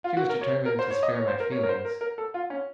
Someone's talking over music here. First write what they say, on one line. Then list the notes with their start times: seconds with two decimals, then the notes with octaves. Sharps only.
She was determined to spare my feelings.
0.04 F4
0.17 F#4
0.29 A#4
0.41 C#5
0.66 A#4
0.79 C5
0.91 C#5
1.03 D#5
1.15 C#5
1.27 C5
1.40 A#4
1.52 C#5
1.63 A#4
1.69 C5
1.85 A#4
2.01 A#4
2.18 A4
2.34 F4
2.50 C#4